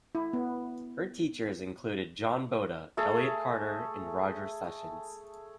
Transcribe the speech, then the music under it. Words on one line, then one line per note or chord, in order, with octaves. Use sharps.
Her teachers included John Boda, Elliott Carter, and Roger Sessions.
E4
B3
A3 G#4 A4